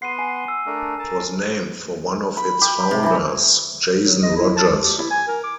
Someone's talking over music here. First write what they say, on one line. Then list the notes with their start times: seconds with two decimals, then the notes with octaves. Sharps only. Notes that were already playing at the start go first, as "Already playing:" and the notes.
It was named for one of its founders, Jason Rogers.
0.02 B3 F#5 C6 C7 D#7
0.19 G#5
0.48 E6
0.66 A3 D4 A#4
0.99 A#4 A5
2.37 B5
2.61 G4
2.91 C3
3.03 E3 B5
4.05 F#3
4.23 D#5
4.36 E4
4.57 A5
4.69 G#3
4.83 G4
4.99 E4
5.11 G#5
5.28 A#4
5.44 D6